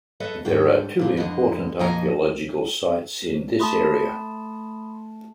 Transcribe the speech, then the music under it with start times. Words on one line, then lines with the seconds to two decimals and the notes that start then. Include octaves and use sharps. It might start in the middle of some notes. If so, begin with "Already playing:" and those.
There are two important archaeological sites in this area.
0.20 A4 B4 C#5 D#5 E5 A5
0.45 G#2 D3 G3 C#5 G5
0.99 A#2 D3 E5
1.17 F2 D3 E3 D#5
1.79 F2 A#2 F3 D#5 G#5 A#5
3.60 A3 A5 B5 C6 D#6